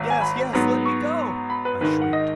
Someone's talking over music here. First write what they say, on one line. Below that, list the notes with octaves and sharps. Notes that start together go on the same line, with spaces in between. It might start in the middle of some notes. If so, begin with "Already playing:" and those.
'Yes, yes! let me go,' I shrieked.
Already playing: G#1 F#3
G#5
B5
G#2 F#3 B3
C#6
B5
B4
G#1 G#2 D#3 B4
F#5
D#5